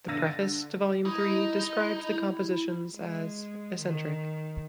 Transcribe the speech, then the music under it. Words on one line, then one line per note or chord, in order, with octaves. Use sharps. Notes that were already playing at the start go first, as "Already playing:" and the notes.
The preface to volume three describes the compositions as "eccentric".
D3 E6 A6 A#6 D#7
D#4 E4
G#3
D#3